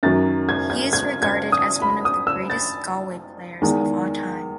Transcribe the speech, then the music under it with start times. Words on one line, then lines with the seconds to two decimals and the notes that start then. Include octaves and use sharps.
He is regarded as one of the greatest Galway players of all-time.
0.03 F#2 D#3 F#3 A6
0.49 G#6
0.70 G#6
0.93 G#6
1.23 G#6
1.52 D#6
1.82 B5
2.05 D#6
2.27 E6
2.50 A6
3.62 E2 D#3 G#3